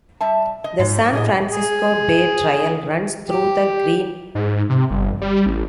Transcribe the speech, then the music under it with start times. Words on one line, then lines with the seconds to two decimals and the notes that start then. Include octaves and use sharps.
The San Francisco Bay Trail runs through the green.
0.21 G3 E5 A5
0.64 D#5
0.79 G#2 G#3
1.13 A2 G4 G#4 D#5
1.51 G#4
3.28 G4
4.35 G#2
4.70 C3
4.90 G1
5.21 G3
5.46 A1